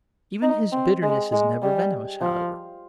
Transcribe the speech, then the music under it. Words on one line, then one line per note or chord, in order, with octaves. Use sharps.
Even his bitterness is never venomous, however.
D#4
C4
G#3
G#3
G3
F3